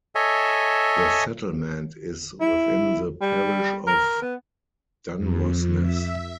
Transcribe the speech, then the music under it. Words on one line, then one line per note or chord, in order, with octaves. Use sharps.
The settlement is within the parish of Dunrossness.
A4 C#5 D#5 E5 G#5
E4
G3
A#4
B3
F2
E5